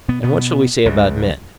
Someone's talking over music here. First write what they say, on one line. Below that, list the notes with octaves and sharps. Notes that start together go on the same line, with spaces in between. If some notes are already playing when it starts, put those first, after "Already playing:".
And what shall we say about men?
B2 B3
B2 B3
C#2 C#3